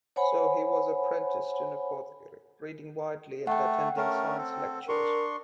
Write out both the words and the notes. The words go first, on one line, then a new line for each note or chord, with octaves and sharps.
So he was apprenticed to an apothecary, reading widely and attending science lectures.
C5 C#5 F#5 G#5 B5
A3 F#5 G5
A3 C#4 A#4
C4 A4
D4 A#4 C6 C#6